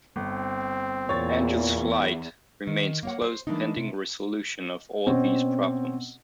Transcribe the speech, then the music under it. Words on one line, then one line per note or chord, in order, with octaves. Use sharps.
Angels Flight remains closed pending resolution of all these problems.
G1 C4
E2 A#2 C#5 A6
D#3
A#3 C#5 F#5
C5
E3 G#3 A#3 D4 D#4
C3
B2 C4 C#4